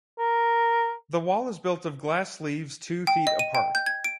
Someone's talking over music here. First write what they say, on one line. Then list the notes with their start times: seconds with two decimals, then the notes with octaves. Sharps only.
The wall is built of glass leaves two feet apart.
0.19 A#4
3.07 G5
3.27 D#5
3.39 D#7
3.55 G5
3.75 G6
3.86 G#6
4.04 D7